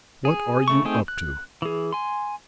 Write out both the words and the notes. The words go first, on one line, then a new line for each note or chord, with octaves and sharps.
What are you up to?'
G#4
C#3 A3 C#6
A3 C4 D#4 G#4 G5
F#6
E3 G#4
G#5 C6